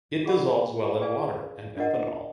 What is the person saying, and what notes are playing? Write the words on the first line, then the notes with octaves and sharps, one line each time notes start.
It dissolves well in water and ethanol.
F4 G#4 D5 F#5 B5
G#4 B4 D5 F5 G#5
D4 F4 A#4 D#5 F#5